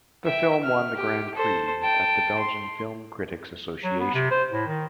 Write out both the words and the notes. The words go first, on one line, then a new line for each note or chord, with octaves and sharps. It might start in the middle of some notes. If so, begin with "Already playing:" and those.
The film won the Grand Prix of the Belgian Film Critics Association.
E5 G5
F6
G4
A4 C5
G5 A5
C6
F#3
B3
C3
C5
A2
D#3